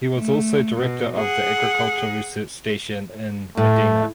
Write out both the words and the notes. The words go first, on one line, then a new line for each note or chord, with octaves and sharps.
He was also director of the agricultural research station in Modena.
A3
B2
G#4 F#5
A2 A3